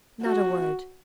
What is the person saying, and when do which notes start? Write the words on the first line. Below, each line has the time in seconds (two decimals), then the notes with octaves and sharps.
"Not a word."
0.23 F#4